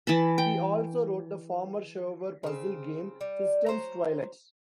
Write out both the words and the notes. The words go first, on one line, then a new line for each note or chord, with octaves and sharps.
He also wrote the former shareware puzzle game "System's Twilight".
E3 A5 B5
G5
C#3 C4
G3
F#3 C5 A#5